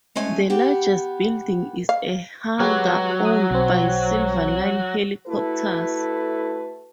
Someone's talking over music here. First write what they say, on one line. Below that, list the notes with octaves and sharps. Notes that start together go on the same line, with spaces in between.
The largest building is a hangar owned by Silverline Helicopters.
G#3 A3 C#4 G#5
B3 G4
F5
F#3 G#3 B3 F#4 G4
D#6
B1 C4
A3 E4 F#4 A4 B4